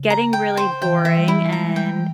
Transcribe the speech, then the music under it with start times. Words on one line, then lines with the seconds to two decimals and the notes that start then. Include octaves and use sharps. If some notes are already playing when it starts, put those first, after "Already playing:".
getting really boring, and
Already playing: C#3
0.10 A#5
0.33 G5
0.57 C5
0.82 E3 G5
0.99 E3
1.05 E5
1.17 G3
1.28 E4
1.52 G#3 A#5
1.70 G3
1.76 G5
1.89 E3